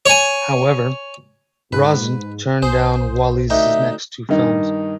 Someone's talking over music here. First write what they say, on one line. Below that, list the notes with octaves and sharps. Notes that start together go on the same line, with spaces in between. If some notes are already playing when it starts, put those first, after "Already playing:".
However, Rossen turned down Wallis's next two films.
C#5 G#5
G#2 B4
B1 G#4 C5
D2 D#4 E5 G6
G2 D#3 D#4